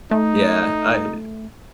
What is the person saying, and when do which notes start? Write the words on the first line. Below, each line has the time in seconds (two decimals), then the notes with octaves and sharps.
Yeah. I hate it.
0.11 A3 D#4